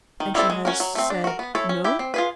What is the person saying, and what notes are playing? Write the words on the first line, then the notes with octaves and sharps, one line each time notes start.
"And she has said No?"
D#3
G3 C4 E4 A4
G#3
C#4 F#4 A#4
F#3
A3 C4
D4
F#4 A#4
B3
E4 A4 C#5
C#4
E4 G4
C4
F4 G#4 B4